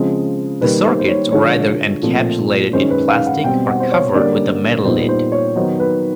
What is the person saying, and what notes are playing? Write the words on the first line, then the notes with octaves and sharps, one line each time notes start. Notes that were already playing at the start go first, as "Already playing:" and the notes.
The circuits were either encapsulated in plastic or covered with a metal lid.
Already playing: C#3 F3 G#3 C4
D#3 G3 A#3 B4
C5
C5
C#5
D3 F3 G#3 C#5
A#2 F3 A3 C4
F#2 D#3 G#3 C#4 C5
B4
F5
F#5
B2 G3 C4 G5
F#5
C5
C#5
D3 G3 A#3 C#4 D5
A#2 G3 B3 D#4 C5
C5
C#5
D#3 F#3 B3 D#4 C5
B4